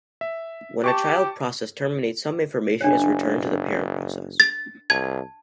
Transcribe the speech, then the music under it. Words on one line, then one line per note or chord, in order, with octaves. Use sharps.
When a child process terminates, some information is returned to the parent process.
E5
G4 A5 C#6 D6
F#1 D4 C#5
A6
C2 A5 G#6